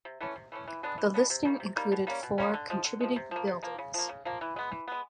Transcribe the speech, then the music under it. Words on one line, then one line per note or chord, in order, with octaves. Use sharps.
The listing included four contributing buildings.
C3
E3 A3 C#4
C3
E3 A3 C#4
E3
G#3 B3 D4
E3
G#3 B3 D4
C3
D#3 G3 A#3
C3
D#3 G3 A#3
B2
G3 A#3 C#4
B2
G3 A#3 C#4
D3
F3 G#3
D3
F3 G#3
C3
F3 A#3
C3
F3 A#3
C#3
F3 A#3
C#3
F3 A#3
E3
G#3 B3
E3
G#3 B3